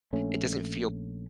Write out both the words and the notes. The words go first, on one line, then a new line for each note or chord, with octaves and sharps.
it doesn't feel
A#1 A3 C#4